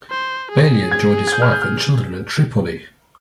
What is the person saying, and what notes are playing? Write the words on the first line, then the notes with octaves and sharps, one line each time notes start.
Balian joined his wife and children in Tripoli.
C5
G#4
G#6
G#6
G6
F6
G6
F6